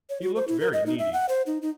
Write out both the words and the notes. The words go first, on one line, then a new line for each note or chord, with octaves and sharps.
He looked very needy.
C#5
F#4
C5
E4
A#4
D#5
D#4
E5
F#5
C5
D#4
D#4